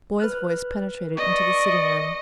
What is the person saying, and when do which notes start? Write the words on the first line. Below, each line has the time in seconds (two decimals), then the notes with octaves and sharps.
A boy's voice penetrated into the sitting-room.
0.20 B4 F6 F#6
1.17 D5 D#5 C#6